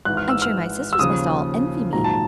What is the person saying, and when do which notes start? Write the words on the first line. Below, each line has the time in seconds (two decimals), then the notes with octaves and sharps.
I am sure my sisters must all envy me.
0.05 G#1 G#2 E3 F#6
0.17 F6
0.29 E6
0.42 F6
0.93 E6
0.99 D#2 C#3 F3 D#6
1.93 A#1 G#2 D#3 F#3 A#5
2.04 A5